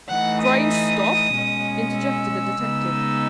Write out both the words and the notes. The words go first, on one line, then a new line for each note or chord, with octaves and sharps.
"The train stopped?" interjected the detective.
E3 A3 D#4 F#5
D#6
B2 G#3 C#4
E6
C#3 G#3 B3 D#4